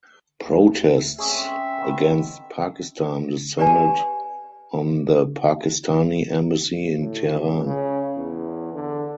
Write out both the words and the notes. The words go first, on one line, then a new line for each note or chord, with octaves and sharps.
Protests against Pakistan descended on the Pakistani Embassy in Tehran.
D2
G#3 C4 C#4 G#4 C#5 E5 G#5
D#3 B3
G4 B4 D5 G#5
A2
C#2
C#3
E2
D3